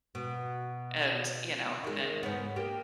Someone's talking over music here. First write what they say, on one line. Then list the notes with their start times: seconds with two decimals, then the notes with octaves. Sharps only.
and, you know, then
0.15 B2
1.84 D#3 G#3
2.23 G#2 C#3 B3
2.56 A#3 D4 G4